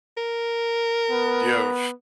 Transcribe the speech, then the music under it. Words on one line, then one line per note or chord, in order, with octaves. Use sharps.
do you have
A#4
B3